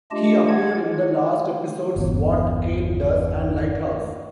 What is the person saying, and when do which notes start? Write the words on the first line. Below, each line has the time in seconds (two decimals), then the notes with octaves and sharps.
He appeared in the "Lost" episodes "What Kate Does" and "Lighthouse".
0.11 A3 D4 F4 G4 D#5 A5
0.49 F#5 G#6
1.96 G1 E2